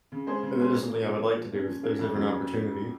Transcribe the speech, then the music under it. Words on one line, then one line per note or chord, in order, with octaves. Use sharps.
and that is something I would like to do if there's ever an opportunity.
C#3
G#3 C#4 G#4 C5
C#3
G#3 C#4 G#4 C5
A#2
F3 A#3
A#2
F3 A#3
F3
A#3 C#4
F3
A#3 C#4
F2
C#3 F#3 A#3 C#4